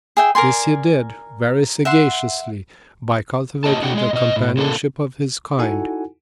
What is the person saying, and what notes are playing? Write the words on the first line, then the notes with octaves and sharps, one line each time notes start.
This he did, very sagaciously, by cultivating the companionship of his kind.
G#4 E5 G5
A#4 D5 G#5 C6
E5 F#5 C6
A2 G4 D#5 A5
D4 G#4 F#5 G5
G#3 D#5
B2 D#5
A2
A#2 D3 A#3 A4
D#4 E4 F#4 A4 F#5 G#5